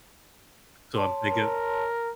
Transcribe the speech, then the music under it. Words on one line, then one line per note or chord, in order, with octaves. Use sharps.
so I'm thinking
C#5 A5 C6
A#4